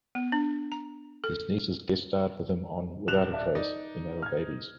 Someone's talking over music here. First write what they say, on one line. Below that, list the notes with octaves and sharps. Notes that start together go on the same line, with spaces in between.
His nieces guest starred with him on 'Without a Trace' when they were babies.
B3
D4
A#5
A4
D#1 F#6 E7 F7
D5 E5 A5
D#4 D5
F6 G#6